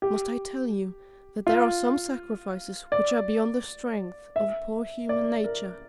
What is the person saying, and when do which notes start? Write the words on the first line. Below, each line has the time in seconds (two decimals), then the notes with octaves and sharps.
Must I tell you that there are some sacrifices which are beyond the strength of poor human nature?
0.02 G4
1.47 F4
2.92 D5
4.36 E5
5.09 D5
5.44 A#4